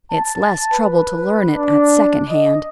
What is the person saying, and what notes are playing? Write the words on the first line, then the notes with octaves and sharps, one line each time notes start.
It's less trouble to learn it at second hand.
A5
B4
D4
D#5